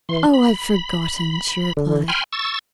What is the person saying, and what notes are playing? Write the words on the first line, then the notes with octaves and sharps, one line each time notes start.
"Oh, I've forgotten..." she replied.
E3 C6
B5
D3
G5 G#5 B5 C6 F6
C#6 E6 A6